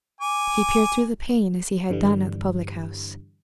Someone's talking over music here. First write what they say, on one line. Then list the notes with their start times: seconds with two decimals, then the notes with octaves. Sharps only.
He peered through the pane as he had done at the public house.
0.21 G#5 D6
1.90 G2 D3 E3 G3